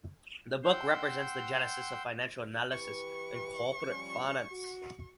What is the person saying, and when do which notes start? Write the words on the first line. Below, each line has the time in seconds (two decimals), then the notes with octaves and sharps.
The book represents the genesis of financial analysis and corporate finance.
0.64 F#5 G5 C6 E6 G6
2.71 E3 G4 B4 C#6
3.87 F3 G3 C#4
4.51 F#4